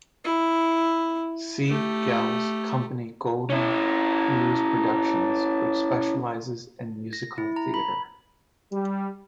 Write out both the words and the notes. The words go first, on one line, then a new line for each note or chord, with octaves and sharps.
C. Gell's company Golden Muse Productions, which specialises in musical theatre.
E4
A3 G4
C#4 E4
A#6
E4
A#5
B5
G3